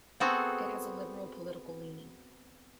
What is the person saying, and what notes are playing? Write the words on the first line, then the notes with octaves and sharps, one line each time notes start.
It has a liberal political leaning.
B3 C4 F#4 G#4 A4